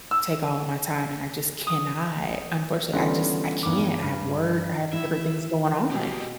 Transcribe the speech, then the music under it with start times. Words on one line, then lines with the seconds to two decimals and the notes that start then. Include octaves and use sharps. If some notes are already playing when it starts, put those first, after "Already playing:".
take all of my time, and I just cannot. Unfortunately, I just I can't. I have work, I have different things going on,
0.11 E6
1.67 D#6
2.93 D3 E3 G3 B3 C#4 F4
3.63 E2 G2 D#3 D6
4.03 G2
4.93 E3 E4 E5
5.91 B2 G4 G#4